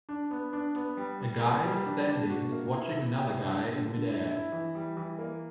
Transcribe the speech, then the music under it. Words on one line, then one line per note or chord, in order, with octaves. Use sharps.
A guy standing is watching another guy in midair.
D4
B3
D4
B3
G3
G3
A#3
G3
D4
D4
F#4
A#3
E4
E4
G4
D3
D3
D3
E4
E4
E3
G3
E3
A#3